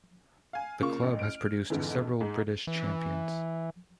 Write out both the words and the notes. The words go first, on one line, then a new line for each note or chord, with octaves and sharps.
The club has produced several British champions.
F5 G#5
C#3 A#3 F4 C#6
A1
F6 D7
F2 G#2 D3 E3
G#2
E3